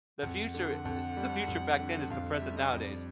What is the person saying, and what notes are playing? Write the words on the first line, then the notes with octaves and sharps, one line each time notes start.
The future it The future back then is the present nowadays.
F2 F#5
D3
F2
G3
F2
D3
F2 F5
E5
G3
D#5
F2
D5